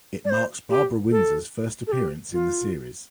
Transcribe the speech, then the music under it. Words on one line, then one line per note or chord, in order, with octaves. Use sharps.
It marks Barbara Windsor's first appearance in the series.
D5
C5
G4
A4
A4
G4
F4